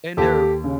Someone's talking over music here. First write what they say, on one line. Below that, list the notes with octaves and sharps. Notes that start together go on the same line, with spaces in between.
and they're,
D#2 G4 A4
C#3